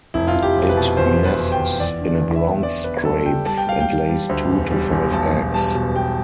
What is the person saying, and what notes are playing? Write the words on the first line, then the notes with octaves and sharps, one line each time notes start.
It nests in a ground scrape and lays two to five eggs.
F1 E4
F4
F1
G4
F1
B4
B2
E2 C5
F1
B4
B2
G5
E2
E2 D5
D3
D5
E2
E5
B3
B3 D5
B3 B4
G3 A4
G3 G5
G3 A5
G5
G3 F5
G5
G3
G3
D2
E1
G3
E1
B1 A5
B1
G3 A5
B2
B2 G5